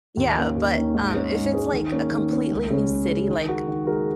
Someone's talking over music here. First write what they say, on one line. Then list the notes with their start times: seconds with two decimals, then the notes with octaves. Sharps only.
Yeah, but, um, if it's like a completely new city, like
0.17 D#2
0.37 D#3 A#3 C#4
0.56 D#2
0.75 D#3 A#3 C#4
0.95 G#2
1.14 G#3 C#4 G#4
1.34 G#2
1.53 G#3 C#4 G#4
1.73 D#3
1.92 A#3 C#4
2.12 D#3
2.31 A#3 C#4
2.50 C#2
2.70 C#3 G#3 C#4
2.90 C#2
3.09 C#3 G#3 C#4
3.28 D#3
3.48 G#3 F#4 A#4
3.68 D#3
3.87 G#3 F#4 A#4